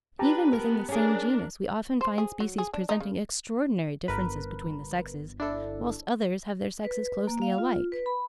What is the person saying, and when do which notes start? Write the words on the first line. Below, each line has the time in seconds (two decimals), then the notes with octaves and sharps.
Even within the same genus we often find species presenting extraordinary differences between the sexes, whilst others have their sexes closely alike.
0.19 D4 F4 G4 B4 A5 A#5
0.53 B3 A#4
0.89 C#4 D4 G#4 A#4
2.01 C5
2.18 G#4
2.40 F#3
2.58 G#4
2.74 D4
2.89 D#4
3.00 C#3
4.08 G1 A#4 B4
5.40 D4 E4 A4
6.84 B4
7.27 A#3
7.42 F5
7.58 F4
7.92 B4
8.06 B5